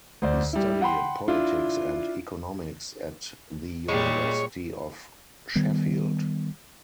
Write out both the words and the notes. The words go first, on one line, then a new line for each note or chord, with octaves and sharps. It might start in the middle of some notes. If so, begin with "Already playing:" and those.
He studied politics and economics at the University of Sheffield.
D2 C5 D5
G3 E4
F#5 G5 B5 C6
D4 E4 F4
A#2 G3 G#3 C#5
D#3 G3 B3